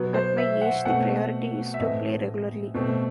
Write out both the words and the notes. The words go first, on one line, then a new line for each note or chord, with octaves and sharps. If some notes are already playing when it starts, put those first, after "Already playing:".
At my age, the priority is to play regularly.
Already playing: B2 F#3 B3
C5
E5
F#5
B2 A3 C4 F#5
E5
A2 E3 A3 C4 D#5
B2 A3 C4